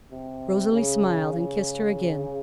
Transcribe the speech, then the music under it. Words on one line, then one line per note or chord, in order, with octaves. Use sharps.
Rosalie smiled and kissed her again.
C3
C#3
C#3